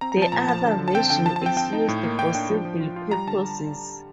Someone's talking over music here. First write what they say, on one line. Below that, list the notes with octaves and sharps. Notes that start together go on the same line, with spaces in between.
The other version is used for civil purposes.
C4 A#5
F3 A#5
A5
A#2 A#5
F3 A5
D3
D3
A5
C4 G5
D3 G5
F3 A5
A5
C4 G5
C4 G5
D#4
A2
A#3
A#3 G5
D4 G5
F3
F3
F4
F4
G3 A#5
D3 A5